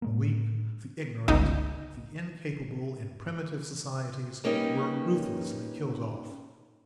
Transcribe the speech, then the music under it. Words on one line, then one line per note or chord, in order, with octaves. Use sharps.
The weak, the ignorant, the incapable in primitive societies were ruthlessly killed off.
A2 G#3 A#3
G1 C#2 D#4
G3 A#3 C#4 D#4 G4 B4